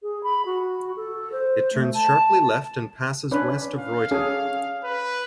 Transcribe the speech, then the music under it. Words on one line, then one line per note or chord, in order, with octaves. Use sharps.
It turns sharply left and passes west of Royton.
G#4
B5
F#4
A4
C5
A3
A5
C#4 D4 B4
F5
C#4 G#4 A4
B4